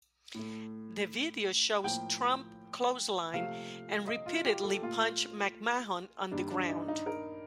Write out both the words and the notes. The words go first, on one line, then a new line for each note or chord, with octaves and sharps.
The video shows Trump clothesline and repeatedly punch McMahon on the ground.
A2 A3
A2 F3 A#3 G5
C3 F3 A3 F5
D#5
F4
G4
A4
A#2 A3 F4
G2 D#3 G3 A#3 D4
D4
D#4
D#4
A#4